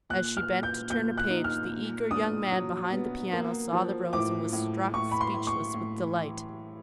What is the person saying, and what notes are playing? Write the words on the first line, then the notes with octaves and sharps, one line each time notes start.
As she bent to turn a page, the eager young man behind the piano saw the rose and was struck speechless with delight.
A#2 F#6
F6
A#2
G6
A#2 G6
F#6
D#4
F6
A#2
D4 D#6
F#3
B3
A#3
F3
A2 D6
A2
A2 C#6
B5
C6
A2
C#6
A2
E3